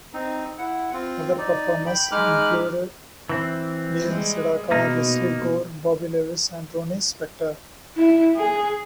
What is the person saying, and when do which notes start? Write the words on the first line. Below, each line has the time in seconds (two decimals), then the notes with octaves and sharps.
Other performers included Neil Sedaka, Lesley Gore, Bobby Lewis and Ronnie Spector.
0.14 C4 D#4
0.58 E4 F#5
0.93 C4 F4
1.38 D#4 D5
1.87 G5 B5
2.11 G#3 D#4 B5 D6 F6 F#6
3.29 E3 C4
4.02 G3 G#3
4.71 B2 A#3 D#4
7.97 E4
8.36 G#4